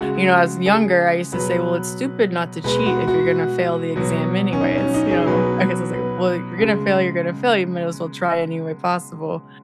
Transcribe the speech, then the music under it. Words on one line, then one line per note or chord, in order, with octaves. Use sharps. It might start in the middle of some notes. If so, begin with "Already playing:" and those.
You know, as younger, I used to say, "Well, it's stupid not to cheat if you're gonna fail the exam anyways," you know? I guess I was like, "Well, if you're gonna fail, you're gonna fail, you might as well try any way possible."
C#3 G#3 F#4
G#4
B2 F#3 B4
B2 G#3 B4
F#4
F#4
B2 F#3
C#4
D#4
C#4
D#4
G#4
B2 F#3 B4
B4
C#3 G#3